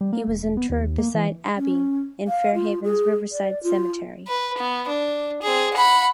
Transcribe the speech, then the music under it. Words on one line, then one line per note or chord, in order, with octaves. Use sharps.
He was interred beside Abbie in Fairhaven's Riverside Cemetery.
G3
A#3
E1
E1
B3
D#2
D#2
A#3
E3
C#4
F5
F4
G#4
D5
F4
B4
B3
D4
C4 G#4
F#5 B5